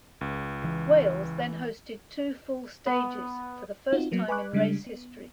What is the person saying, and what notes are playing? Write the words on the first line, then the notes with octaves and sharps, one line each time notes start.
Wales then hosted two full stages for the first time in race history.
C#2
E3
B3
C4 D#4 F4 F#4
F#3 A#3 B3
B4 G#5 B5 C#6 D6 F#6
C#3 G3 G#3 D4
B3